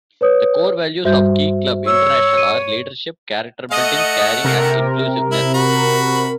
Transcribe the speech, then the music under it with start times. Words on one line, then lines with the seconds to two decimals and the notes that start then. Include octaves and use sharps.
The core values of Key Club International are leadership, character building, caring and inclusiveness.
0.21 B4 C#5 D#6
1.05 G2 G3 F#4 C5 E5 G6
1.87 C#5 E6
2.37 D#7
3.71 A3 D#5 F#5
4.44 C3 A#4
5.32 E4
5.54 F#4 B5